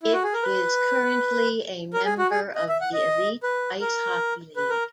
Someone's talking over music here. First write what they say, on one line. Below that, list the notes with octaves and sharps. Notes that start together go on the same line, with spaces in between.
It is currently a member of the Elite Ice Hockey League.
E4
F#4
G#4
A#4
B4
A#4
G#4
F#4
G#4
D#5
E5
F#5
D#5
B4
A#4
B4
A#4